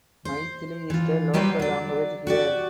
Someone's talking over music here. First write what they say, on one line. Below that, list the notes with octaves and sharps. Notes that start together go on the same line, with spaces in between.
Maithili is the Local Language here.
C5
E3 F4
F#3 G3 G4 B4 C5 D5
F#3 D5
F#4 G4 D5